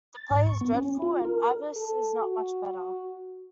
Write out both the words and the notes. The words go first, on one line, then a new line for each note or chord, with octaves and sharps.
The play is dreadful, and Avice is not much better.
A6
G#2
C#6
B3
C#4
F4
A#4
A4
F#4